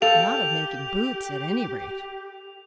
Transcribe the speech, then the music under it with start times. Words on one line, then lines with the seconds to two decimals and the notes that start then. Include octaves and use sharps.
'Not of making boots, at any rate!
0.02 G4 A4 F5 F7